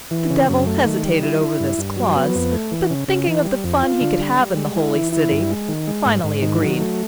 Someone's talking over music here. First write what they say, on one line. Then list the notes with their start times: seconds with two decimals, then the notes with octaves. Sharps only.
The devil hesitated over this clause, but thinking of the fun he could have in the holy city, finally agreed.
0.11 E3
0.30 C#3
0.49 F#2
0.67 A3
0.85 D#3
1.05 G3
1.23 E4
1.41 E4
1.60 G2
1.78 G2
1.97 F#3
2.15 B3
2.35 F2
2.52 A3
2.72 E3
2.90 C#3
3.08 C#3
3.27 E3
3.45 G3
3.64 F2
3.83 F4
4.01 D3
4.20 G3
4.39 G3
4.56 G#3
4.76 E4
4.94 E3
5.12 E4
5.31 G2
5.50 G#3
5.68 D#3
5.87 G#3
6.06 G#2
6.24 G#2
6.42 D#3
6.62 F#3
6.79 A3